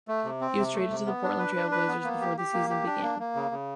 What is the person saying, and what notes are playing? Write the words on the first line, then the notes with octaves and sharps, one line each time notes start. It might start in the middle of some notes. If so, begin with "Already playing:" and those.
He was traded to the Portland Trail Blazers before the season began.
A3
C3
C4
C3
A3
C3
B3
D4
B4
D4
B4
B3
A#3
G4
G4
A#3
G4
D4
A#3
A#3
C#3
C#3